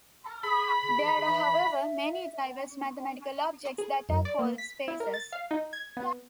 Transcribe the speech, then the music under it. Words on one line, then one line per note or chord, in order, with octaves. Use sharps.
There are however, many diverse mathematical objects that are called spaces.
G#4 B5
E5
E5
G#4
F#2
D5
A#3
B6
E4
A#4
A6
F5
D#4
G#6
B3